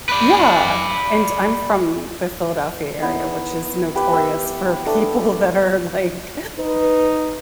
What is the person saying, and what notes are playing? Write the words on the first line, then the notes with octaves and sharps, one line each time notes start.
Yeah, and I'm from the Philadelphia area, which is notorious for people that are like
B4 D5
B3 D#4 E4
G4 B4 G5
E5 G5
A3 D4 D6 D#6
D#4 B4